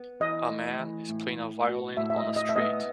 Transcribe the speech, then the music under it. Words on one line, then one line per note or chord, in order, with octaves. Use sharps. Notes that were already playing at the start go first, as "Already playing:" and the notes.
A man is playing a violin on a street.
Already playing: B3
E3 D#5
A3
E3
A2
A2
F#4
A2 E5
E5
D#5
A2
D#5
E5
B3 D#5